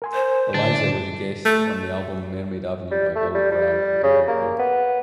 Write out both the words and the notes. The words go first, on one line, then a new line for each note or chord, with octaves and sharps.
Eliza was a guest on the album "Mermaid Avenue" by Billy Bragg and Wilco.
A#4 G#5 C6
C5
A2 D3 D4 A6
A3
G3
A3
G3
G3
C#3
A#3
B3